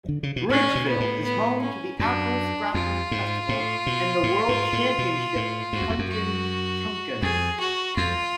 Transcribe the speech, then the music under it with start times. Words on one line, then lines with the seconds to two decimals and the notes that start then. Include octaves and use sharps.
Bridgeville is home to the Apple Scrapple Festival and the World Championship Punkin Chunkin.
0.09 D3
0.23 C#3
0.36 B2
0.50 A2 C#4
0.75 B2
0.88 B3
1.00 A2
1.25 B3
1.61 C#4
1.99 F#2 D4
2.74 F2 F4
3.11 G#2
3.49 A2
3.87 B2
4.23 A2
4.49 G#2
4.73 A2
4.98 B2
5.36 A2
5.73 G#2 F#4
5.82 F#2
5.90 F2
5.99 F#2
6.10 F#4
7.22 F2 G#4
7.60 F#4
7.96 F2 F4